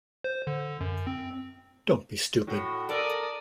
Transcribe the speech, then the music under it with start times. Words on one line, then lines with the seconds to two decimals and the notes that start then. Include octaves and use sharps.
Don't be stupid.
0.24 C5
0.47 D3
0.81 F#2
1.07 C4
2.47 A2 F#4
2.89 A4 A#4 D5 D#6